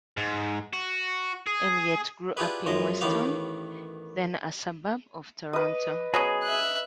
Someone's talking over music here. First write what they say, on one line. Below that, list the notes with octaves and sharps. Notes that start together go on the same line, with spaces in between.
Elliot grew up in Weston, then a suburb of Toronto.
G#2
F#4
G#4
D4 E4 F4 G4 G#4 B4
F#2 F3 G#3 D#5
A1 A2 D#3 B3 G4 F5
B4 D#5
F#3 B3 C#4 G#4
E5 F#6